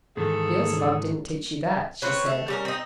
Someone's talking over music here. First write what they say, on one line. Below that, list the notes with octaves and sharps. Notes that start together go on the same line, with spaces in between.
'Beelzebub didn't teach you that,' she said.
G#2 D#3 E3 G#4 A4
C4 F4 B4 C#5
A3
G3 C#4 A#4
C4 D#4